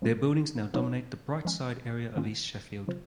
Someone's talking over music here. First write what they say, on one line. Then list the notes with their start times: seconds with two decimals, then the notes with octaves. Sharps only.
Their buildings now dominate the Brightside area of East Sheffield.
0.02 F3 G#3 C#4 F4 A#4
0.74 F#3 A#3 D#4 F#4 C#5
1.45 F3 G#3 C#4
2.16 D#3 A#3 C#4 F4
2.88 C#3 F#3 C4 F4 C5